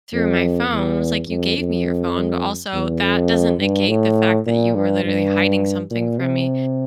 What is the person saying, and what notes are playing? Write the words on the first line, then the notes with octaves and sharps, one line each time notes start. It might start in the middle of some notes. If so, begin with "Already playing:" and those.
through my phone." I was, like, "You gave me your phone, but also that doesn't negate the fact that you were literally hiding something from me."
F2
E2
F2
F2
E2
F2
G2
A2
A#2
G2
G2
A#2
C3